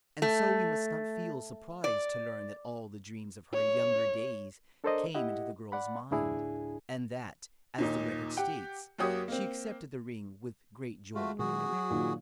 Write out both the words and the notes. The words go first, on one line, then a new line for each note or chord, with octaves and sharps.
And so we must not feel surprised to learn that all the dreams of her younger days came into the girl's mind, and that, as the record states, "she accepted the ring with great joy."
A3
D5
C#5
D4 A4 A#4 C5 D5 D#5
E4 G4 D#5 F#5
D5 F#5 B5
D2 A2 D4 E4 G#4 G#5
D#2 A#2 D#4
G4 F#5 G5
F#2 A#3 F#4 G4 C#5 D#6
A#3 C4
G#3 A3 F4 F#4
A#2 D#3 F#3 F#4 G#4
F#3
A#2 D#3